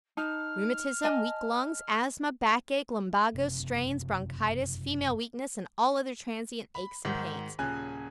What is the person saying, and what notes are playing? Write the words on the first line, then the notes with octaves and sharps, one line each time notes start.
Rheumatism, Weak Lungs, Asthma, Backache, Lumbago, Strains, Bronchitis, Female Weakness and all other transient aches and pains.
D#4 A5 F6
D#5 G#5 A5
F#1 C3
B5
G#2 D#3 F#4
D#1 C#3 G#5 F#6